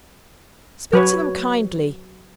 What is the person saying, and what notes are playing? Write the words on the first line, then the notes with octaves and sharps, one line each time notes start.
Speak to them kindly.
F#3 B4 C#5